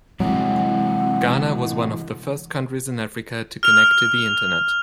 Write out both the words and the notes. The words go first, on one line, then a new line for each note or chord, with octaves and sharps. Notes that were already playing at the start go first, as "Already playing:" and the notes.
Ghana was one of the first countries in Africa to connect to the Internet.
C3 E3 F#3 G#3 C4 F#5
F6 F7